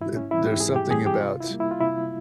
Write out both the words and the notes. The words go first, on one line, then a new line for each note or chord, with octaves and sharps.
a there's something about,
G#2 E4
C#4
E3 G3 C4 E4
G4
G#2 G#4
G4
E3 G3 C4 G#4
G4
C3 F4
E4
G3 A#3
E4
F4
C3 E4